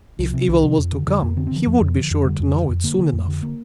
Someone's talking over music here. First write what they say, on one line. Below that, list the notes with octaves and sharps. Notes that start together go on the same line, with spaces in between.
If evil was to come, he would be sure to know it soon enough.
C2 F3
C3
C2 D3
C3 F3
F2
D3
F2 D3
F2 A#3
D3 C4
C4
D3 F3
F2 F3
F2
D3
F2
D3 G3
F2
D3
F2
D3 A#3
D3
F2
D3
A#3